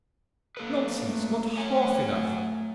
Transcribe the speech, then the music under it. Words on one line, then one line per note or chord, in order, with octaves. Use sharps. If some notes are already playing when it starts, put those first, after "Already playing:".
'Nonsense! not half enough.'
A#3 A4 B4
A3
F#3 C#5 G#5
A3